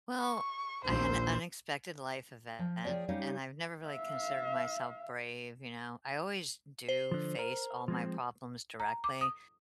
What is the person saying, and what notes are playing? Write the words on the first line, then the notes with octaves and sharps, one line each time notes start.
Well, I had an unexpected life event, and I've never really considered myself brave, you know, I always do face all my problems directly,
C#6
A#1 D#2 A#2 C5
F3
F3 G#3 G#4 C#5 D5 G5
G3 C#4 D#4 G4 C#5 F5
E5 F5
C5
D3 F3
A#4
F3 G#3 C4
A#5
D6
D#6